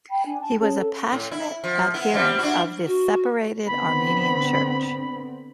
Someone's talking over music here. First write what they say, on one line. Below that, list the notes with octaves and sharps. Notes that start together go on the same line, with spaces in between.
He was a passionate adherent of the separated Armenian Church.
G5 B5
D4 G#5
A5
C#4 G#4 C#5 A5
A4
A2
E4
F3
B3 E4
G3 C4
D4 E4 F#4
F#4
D3 B3 C4 B5